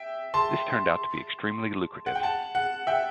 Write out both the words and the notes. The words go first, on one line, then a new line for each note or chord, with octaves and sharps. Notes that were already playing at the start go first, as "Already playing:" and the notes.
This turned out to be extremely lucrative.
Already playing: E5 G5
A5 C6
F#5
G5
F#5 A5
F#5
E5 G5